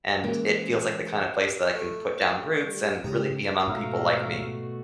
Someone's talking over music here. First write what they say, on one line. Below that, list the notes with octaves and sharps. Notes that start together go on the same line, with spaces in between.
and it feels like the kinda place that I can put down roots and really be among people like me.
E3 G#3 A#3 C#4 E4 A#4
A3
C5 F5
G3
G#2 C#3 G4 A#5 D#6
G#2 B2 A3 F#4 E5 F5 A#5